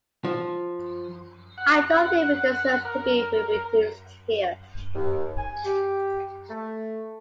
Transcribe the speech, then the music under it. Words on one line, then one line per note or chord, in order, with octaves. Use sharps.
I don’t think it deserves to be reproduced here.
F3
F#5
A#4
D#2
G#5
G4
A3